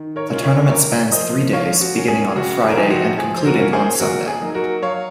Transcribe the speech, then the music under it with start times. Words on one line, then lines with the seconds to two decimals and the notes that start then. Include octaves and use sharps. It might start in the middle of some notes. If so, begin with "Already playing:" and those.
The tournament spans three days, beginning on a Friday and concluding on Sunday.
Already playing: D#3
0.16 A#4 C#5
0.30 G#3 C#4 F4
0.43 A#4 C#5
0.71 C3 A#4 C#5
1.12 F3 A#3 C5 D#5
1.53 F3 C#5 F5
1.81 F#4
1.94 A#3 C#4
2.08 G#4
2.35 C#3 F#4
2.64 G#4
2.70 A#4
2.77 F3 C4 D#4 G#4
2.90 F#4
3.18 F3 G#4
3.37 C5
3.45 F#4 A#4
3.59 A#3 C#4 F4
3.73 G#4 C5
4.00 A#2 F#4 A#4
4.27 G#4
4.41 F#3 A#3 D#4
4.54 F#4 A#4
4.83 F#3 C#5 F5